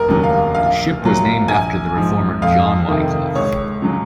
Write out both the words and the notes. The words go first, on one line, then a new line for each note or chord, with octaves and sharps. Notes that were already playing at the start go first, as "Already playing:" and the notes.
The ship was named after the Reformer, John Wycliffe.
Already playing: F1 A#4
D#2 C#3 F#3
F5
A#1 F5
A#2 F#3
A#1 G#5
G#2 F3
F2 F5
C3 D#3
C#2 C#5
C#3 F#3